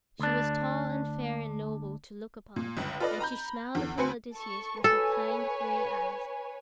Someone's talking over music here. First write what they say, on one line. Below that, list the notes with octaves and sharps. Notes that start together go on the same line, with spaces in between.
She was tall and fair and noble to look upon, and she smiled upon Odysseus with her kind gray eyes.
D2 D4
A#2
G1 C#2
F4 A4 B4 D5 D#5
A#5 B5 G6
E2 D3
D2 C4 B4 G#5 C6 C#7
A4 C#6
A4 B4 C#5 G#5